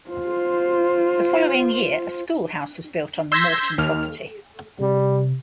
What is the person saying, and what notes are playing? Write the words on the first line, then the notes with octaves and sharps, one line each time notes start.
The following year a schoolhouse was built on the Morton property.
F4 C5
C6 E6 G6 G#6 A#6 B6
D#2 F6
C3 G3